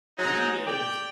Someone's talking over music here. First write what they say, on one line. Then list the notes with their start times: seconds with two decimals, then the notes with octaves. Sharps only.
he is
0.18 G#2 F#3 D#4
0.66 G4 D5 G5